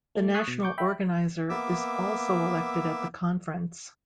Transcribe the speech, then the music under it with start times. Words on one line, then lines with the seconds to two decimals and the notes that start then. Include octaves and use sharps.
The National Organiser is also elected at the conference.
0.15 A3
0.34 C#6 D#6 F#6 B6 C7
0.48 B2
0.63 C#6 D6 G6
0.78 E5 G5 B5
1.49 A#3 B3 E5 D6 E6